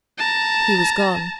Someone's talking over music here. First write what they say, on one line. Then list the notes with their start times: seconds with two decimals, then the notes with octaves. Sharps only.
He was gone.
0.18 A5 A#5